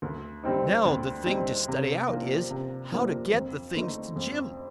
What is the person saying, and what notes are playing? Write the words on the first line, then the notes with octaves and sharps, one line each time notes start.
"Now, the thing to study out is, how to get the things to Jim."
D2
D3 G3 C4 D#4
D2
D3 G3 C4 D#4
C3
F3 A#3 D4
C3
F3 A#3 D4
F2
D3 A3 D#4
F2